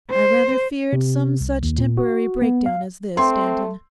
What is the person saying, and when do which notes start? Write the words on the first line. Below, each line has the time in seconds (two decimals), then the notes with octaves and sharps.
'I rather feared some such temporary breakdown as this, Danton.
0.10 C5
0.93 C3
1.41 C2
1.63 D#2
1.78 A#2
1.97 F#4
2.42 B3
2.66 F5
3.17 A3 C4 C6